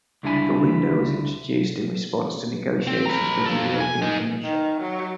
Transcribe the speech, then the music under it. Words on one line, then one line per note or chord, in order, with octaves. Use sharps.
The window was introduced in response to negotiations with the European Commission.
C#2 D3 G3 D4 E4 G#5
C4
B4 A#5
F3 A4
G#5
D#4 G#4
D#3
F#3